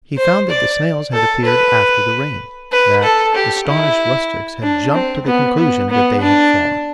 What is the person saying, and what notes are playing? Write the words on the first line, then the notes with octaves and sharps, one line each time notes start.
He found that the snails had appeared after the rain: that "astonished rustics had jumped to the conclusion that they had fallen."
C5
D5
A4
B4
B4
A4
G4
E4
D4
C4
B3
B3
B3
D4